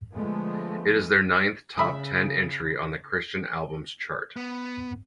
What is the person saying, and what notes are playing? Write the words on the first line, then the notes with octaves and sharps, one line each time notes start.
It is their ninth top ten entry on the Christian Albums chart.
D3 F3 G#3 A3 B3
C#3 E5 B5 D#6
B3